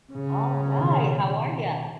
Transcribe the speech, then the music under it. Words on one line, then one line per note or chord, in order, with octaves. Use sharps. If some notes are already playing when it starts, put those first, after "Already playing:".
All right, how are ya?
C#3
B2 D#3